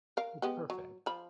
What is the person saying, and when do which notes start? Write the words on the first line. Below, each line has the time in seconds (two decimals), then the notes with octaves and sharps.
Well, perfect.
0.17 A#4 F5
0.42 G#3 B3 G4
0.70 F#3
1.06 F3 B5